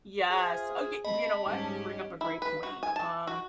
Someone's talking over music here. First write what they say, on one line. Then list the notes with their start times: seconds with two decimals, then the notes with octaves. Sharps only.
Yes. Oh, y you know what? You bring up a great point, um,
0.30 F4 G#4 C5 E5
1.05 C4 D#5 A5 B5
1.46 G#2 G3 C#4 G4
2.21 E4
2.42 B4
2.63 F#4
2.83 G#5
2.96 A5
3.27 F#4